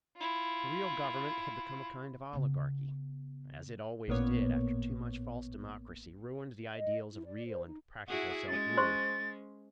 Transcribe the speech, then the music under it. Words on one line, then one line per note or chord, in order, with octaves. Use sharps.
The real government had become a kind of oligarchy, as it always did after too much false democracy ruined the ideals of real and practical self-rule.
E4 F4
C#3 B3
A1 A#2 A#3 B3 C#5
D#5
E4
D5
C5
D#4
E4 F#4 G#4 F#5
G#3 C#4 A6
C5 C6 C#6